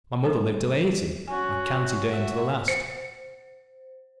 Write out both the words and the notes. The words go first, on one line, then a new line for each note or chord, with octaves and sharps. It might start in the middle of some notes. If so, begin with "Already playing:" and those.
My mother lived till eighty, a canty dame to the last.
G3 A4 C5
C#4 F#4 G#5
F#4 E5
C5 C#7